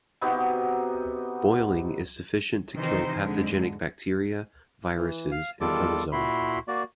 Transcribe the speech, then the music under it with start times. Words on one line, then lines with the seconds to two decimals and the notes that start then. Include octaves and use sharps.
Boiling is sufficient to kill pathogenic bacteria, viruses and protozoa.
0.21 C3 B3 D#4 F#4
2.74 C3 D#3 E3 D#4 C5
3.21 F2 G#2 D3 G#3
4.97 E3
5.31 F5
5.61 E2 D#3 G3 F4 A4 D6
6.12 A#2 E4 F#4 B5 C6
6.68 A#3 F#4 D5